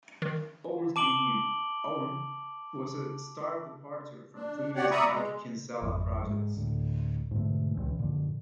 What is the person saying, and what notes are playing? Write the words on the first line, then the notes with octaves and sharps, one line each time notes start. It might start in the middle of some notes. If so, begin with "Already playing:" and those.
Owen's debut, "Owen" was a stark departure from previous Mike Kinsella projects.
D#3
A5 D6 D7 F#7 G7
D4
F#4 G4 C#5 D5 F#5
D5 E5 A#5 B5 C#6 D#6
G#3
G#1 F2
G#2
D2 A2
G#2 B2 D3 A3
C#2 B2 D3 E3
F#2 A#2 D3 F3